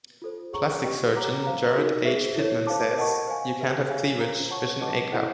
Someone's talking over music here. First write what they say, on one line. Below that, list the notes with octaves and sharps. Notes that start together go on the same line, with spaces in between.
Plastic surgeon Gerard H. Pitman says, you can't have cleavage with an A cup.
F4 A4 C5
G#4 C#5 F#5 A#5 C#6
G4 B4 D#5 G5
C#5 F#5 A#5 D6
C5 F5 A#5
D#4 F#4 A#4
G#4 C5 E5
E4 A4 C#5
C5 F5 A5 D6
A#4 D#5 F#5 A5 C#6
C5 F5 G#5
G4 B4 E5
G#4 C#5 F5 G#5
C5 F5 A#5
C#5 F#5 A5 C#6
B4 D#5 F#5 A5 D6
E4 A4 C5 D#5 F#5